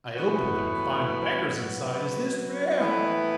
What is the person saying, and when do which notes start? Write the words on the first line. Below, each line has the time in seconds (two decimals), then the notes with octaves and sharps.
I open them and find beggars inside. Is this fair?
0.15 A2 E3 B3 F#4 B4
1.45 F#3 B3 F#4 B4
2.77 A2 E3 B3 E4 B4